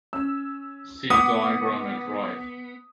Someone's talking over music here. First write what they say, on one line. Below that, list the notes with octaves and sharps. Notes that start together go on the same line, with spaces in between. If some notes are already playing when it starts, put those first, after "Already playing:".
See diagram at right.
C#4 E6
B3 F#5 D6 D#6